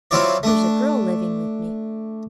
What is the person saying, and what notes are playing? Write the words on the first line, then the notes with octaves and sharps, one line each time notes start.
'There's a girl living with me.
F#3 C4 E4 F4 C#5 D5
A3 D4